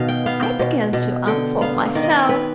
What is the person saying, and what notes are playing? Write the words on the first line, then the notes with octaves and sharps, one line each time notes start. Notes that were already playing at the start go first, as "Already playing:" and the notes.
I begin to unfold myself.
Already playing: B2 D#3 B3 D#5 F5
G5
B3 F5
G5
B2
B2
D3 G5
B3 F5
D#3 D5
D#5
D5
B3 B4